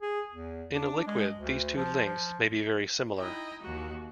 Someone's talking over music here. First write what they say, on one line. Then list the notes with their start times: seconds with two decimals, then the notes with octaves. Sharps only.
In a liquid these two lengths may be very similar.
0.02 G#4
0.32 E2
0.75 D4
1.07 G#3
1.38 D2
1.76 F3
2.06 F3
3.17 D#4 E4 D#5 G5
3.61 D#2 F#4